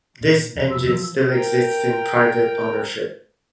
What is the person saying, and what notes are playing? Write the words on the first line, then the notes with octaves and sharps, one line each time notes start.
This engine still exists in private ownership.
A#2
F2 C3
E6
F3 F#3
A#4 G5